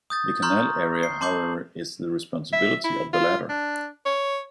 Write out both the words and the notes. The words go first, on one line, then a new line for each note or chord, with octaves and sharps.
The Canal area, however, is the responsibility of the latter.
D#6 G6 A6
A#5 C6 C#6 F6 G6
C7
A5 C6 D6 G6 F#7
E5
E4
F4
D4
C#5